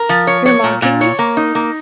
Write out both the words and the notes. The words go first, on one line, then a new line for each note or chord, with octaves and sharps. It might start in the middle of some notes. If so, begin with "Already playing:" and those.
You’re mocking me?
Already playing: A#4
F3
C#5
C#5
A#2
A#2
C#5
A#3
D#4
A#3